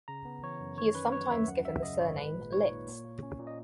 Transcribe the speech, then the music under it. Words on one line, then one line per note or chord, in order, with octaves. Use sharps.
He is sometimes given the surname Litz.
C#3 A#5
B3
E3 C#5
F#2
D#3 C#5
C#4 B4
F#3 C#5
D#2 E5
F#2 F#5
F#3 E5
C#3 D#5
G#1 C#5
G#3 B4
A#2
D#4 C#5
A#2
A#3
A#2
C#4
A#2
D#5